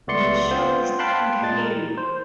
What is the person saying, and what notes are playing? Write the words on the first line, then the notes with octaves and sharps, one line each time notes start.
The shock stunned him.
C#2 A3 B3 D5 C6 C#7
B3 C4 F4 C5
F5 G5 A5 B5 C6 F#6
A#2 G#3 A6
A#4
C5